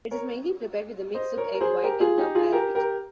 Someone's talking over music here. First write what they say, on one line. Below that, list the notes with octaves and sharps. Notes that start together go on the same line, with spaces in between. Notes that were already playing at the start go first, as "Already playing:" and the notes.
It is mainly prepared with a mix of egg white and gum arabic.
A#4 C#5
C5 D#5
A#4 C#5
A#4
G#4 C5
G4 A#4
F4 G#4
D#4 G4
F4 G#4
G4 A#4
G4 A#4